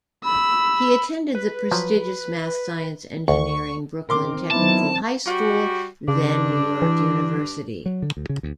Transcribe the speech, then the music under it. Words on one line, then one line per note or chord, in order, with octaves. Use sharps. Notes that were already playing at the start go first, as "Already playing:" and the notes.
He attended the prestigious math-science-engineering Brooklyn Technical High School, then New York University.
B5 E6
B4
F3 F#3
D2 C#6
D#3 C4 A#4 C6 D6
D#3 F#3 B3 C4 D#4 E4 A5
G3 F#4
G2 C#3 D4
E3
F#3
D3
D2
C#3
D2